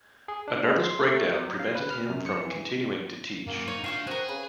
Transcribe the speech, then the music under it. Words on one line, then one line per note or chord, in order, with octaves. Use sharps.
A nervous breakdown prevented him from continuing to teach.
G#4
D4
G#3
C6
A3
F#3
F5
B4
F6
F#2
C#7
E3
F#2 A#3 G#4
D#4 C#5
D4 F4 F#4 F5 C#6 G6
C4 F#4 G#4 A#4
C#3 B4